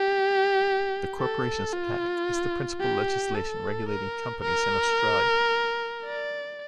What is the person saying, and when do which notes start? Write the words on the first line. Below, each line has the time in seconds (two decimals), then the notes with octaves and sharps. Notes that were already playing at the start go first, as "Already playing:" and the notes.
The Corporations Act is the principal legislation regulating companies in Australia.
Already playing: G4
1.19 A4
1.73 F4
2.80 G4
3.35 A4
3.89 A#4
4.42 A#4
6.05 D5